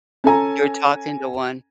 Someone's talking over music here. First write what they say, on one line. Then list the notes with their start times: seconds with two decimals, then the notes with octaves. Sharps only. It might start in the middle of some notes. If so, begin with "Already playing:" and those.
You're talking to one.
0.24 C#4 A4 G#5 A#5